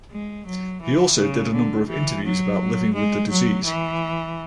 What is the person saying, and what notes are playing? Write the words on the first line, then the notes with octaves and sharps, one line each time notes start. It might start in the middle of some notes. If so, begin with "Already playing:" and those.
He also did a number of interviews about living with the disease.
G#3
F#3
E3
C#3
D3
E3
F#3
G#3
F#3
E3